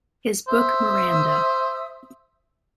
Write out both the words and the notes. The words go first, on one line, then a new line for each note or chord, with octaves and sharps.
His book Miranda.
C5 E5 D#6 E6